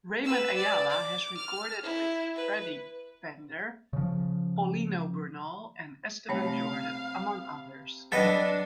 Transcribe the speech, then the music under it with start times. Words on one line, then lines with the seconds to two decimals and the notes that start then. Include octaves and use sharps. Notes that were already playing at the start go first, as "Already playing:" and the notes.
Ramon Ayala has recorded with Freddy Fender, Paulino Bernal and Esteban Jordan, among others.
0.24 B4 E6
0.57 D5
0.89 D6
1.37 F6
1.83 E4
2.36 B4
3.93 C#3 F3
6.29 C3 G3 A3 C#5 F5 B5
8.12 F#3 G3 D4 A4 B4 D#5